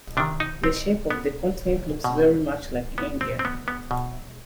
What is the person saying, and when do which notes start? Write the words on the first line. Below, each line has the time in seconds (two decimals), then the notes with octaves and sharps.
The shape of the continent looks very much like India.
0.17 C3 D#3 D4
0.40 D#4
0.64 C4
1.11 B3
2.04 B2
2.98 B3
3.21 C4
3.39 C4
3.45 B3
3.68 B3
3.91 B2